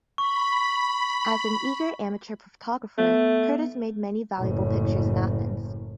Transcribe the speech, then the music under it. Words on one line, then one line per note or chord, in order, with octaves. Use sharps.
As an eager amateur photographer, Curtis made many valuable pictures in Athens.
B5 C#6
A3 B3
F#1 A2